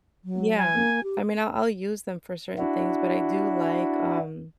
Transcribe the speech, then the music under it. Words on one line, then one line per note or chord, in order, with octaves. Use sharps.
yeah. I mean, I'll I'll use them for certain things, but I do like, um,
F#3
G#5
A#3
G4
D4 E4 F#4